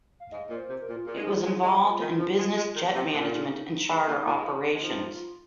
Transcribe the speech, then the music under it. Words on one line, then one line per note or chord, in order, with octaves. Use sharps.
It was involved in business jet management and charter operations.
F5
G#2 D#5
A#2
C5
C3
A#4
A#2
F4
A#2 G#4
G#3 D#4
F3
F4
G#3
G#4
F4
G#3
F3 F4
D#3
F3
G#3
G#3
D#3
C3
A#2
D#4
G#2
A#2
A#2
G#3
F3
G#3
F3 D#4
F4